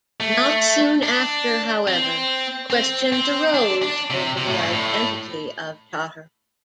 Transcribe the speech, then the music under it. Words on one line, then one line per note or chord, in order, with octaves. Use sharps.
Not soon after, however, questions arose over the identity of Taher.
A3
D4
C4
C4
C4
D4
D4
C3
C3
A2
G2
A2